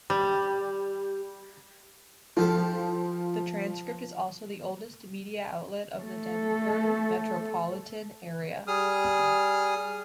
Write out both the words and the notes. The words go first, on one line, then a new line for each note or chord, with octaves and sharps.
The "Transcript" is also the oldest media outlet of the Denver metropolitan area.
G3
F3 F4 G4 A4
A3 A4
G3 G#4 D#6 F6